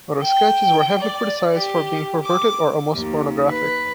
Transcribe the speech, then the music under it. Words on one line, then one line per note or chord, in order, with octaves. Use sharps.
Other sketches were heavily criticised for being perverted or almost pornographic.
G5
D5
G4
D6
D#2
B4